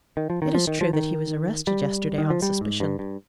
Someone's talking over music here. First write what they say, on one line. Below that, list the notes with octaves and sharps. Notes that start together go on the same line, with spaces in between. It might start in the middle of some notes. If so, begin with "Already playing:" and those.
"It is true that he was arrested yesterday on suspicion."
D#3
F3
D#3
F3
D#3
F3
D#3
G3
D#3
F3
G3
G#2
G2
G2